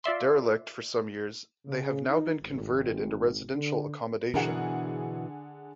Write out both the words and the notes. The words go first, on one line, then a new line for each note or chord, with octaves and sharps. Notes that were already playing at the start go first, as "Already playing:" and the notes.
Derelict for some years, they have now been converted into residential accommodation.
F4 D5 E5 C6
C#3
D#4
G#1
D3
B2 D3 E3 G#4 A#4 F#5